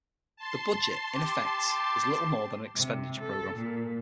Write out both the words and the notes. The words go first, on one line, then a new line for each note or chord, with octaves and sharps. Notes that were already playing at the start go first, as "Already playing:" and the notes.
The budget, in effect, is little more than an expenditure programme.
A5 C6
G4 D6
C3
A4
A#2